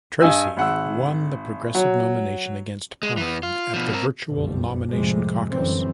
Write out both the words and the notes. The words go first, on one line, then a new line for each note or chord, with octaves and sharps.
Tracy won the Progressive nomination against Pine at the virtual nomination caucus.
G2 D#5 G#5 E6
G#1 F#5 E6
F#3
G#3
E3 B3
F4
B2 F3
C4 A#4
F#1 B1 F2 B2 G3
F2 A2 C3 F3 G3 G#3
F#2 D3 E3 G3 C4